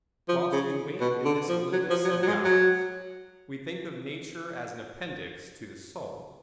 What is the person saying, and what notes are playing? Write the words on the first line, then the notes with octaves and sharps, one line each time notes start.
Whilst we wait in this Olympus of gods, we think of nature as an appendix to the soul.
F3
C#3
B2
D3
F3
F#3
F3
F#3
F3
F#3
G#3
F#3